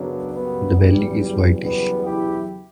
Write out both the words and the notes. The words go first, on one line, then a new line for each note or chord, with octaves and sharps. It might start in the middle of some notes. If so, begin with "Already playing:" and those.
The belly is whitish.
Already playing: F#2 C#3 F#3 B3 D4
G3 B3
E2 C#3 F#3 G3
G3 B3
E4 G4